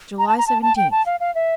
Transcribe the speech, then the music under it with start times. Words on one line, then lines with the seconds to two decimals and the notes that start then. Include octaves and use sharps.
July Seventeenth.
0.18 A#5
0.28 A5
0.38 A#5
0.47 A5
0.62 A5
0.76 G5
0.91 A5
1.06 F5
1.20 F5
1.35 E5